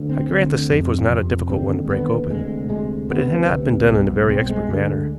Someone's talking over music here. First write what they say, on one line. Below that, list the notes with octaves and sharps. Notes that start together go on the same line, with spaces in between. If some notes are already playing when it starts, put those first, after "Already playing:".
I grant the safe was not a difficult one to break open, but it had not been done in a very expert manner.
Already playing: D2 D3
C4
D2 D3 C4
F2 C3
F2 C3
D#2 D3 C4
G#3
D#2 D3 B3
D2 C3 G#3
D2 C3 G#3
D2 C3 B3
D2 C3
C2 B2
C2 B2 C4
G#3
D2 D3